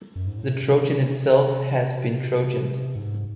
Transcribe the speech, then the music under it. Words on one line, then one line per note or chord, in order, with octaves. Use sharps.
The Trojan itself has been Trojaned.
F#2
G#2
A2
C3
G#2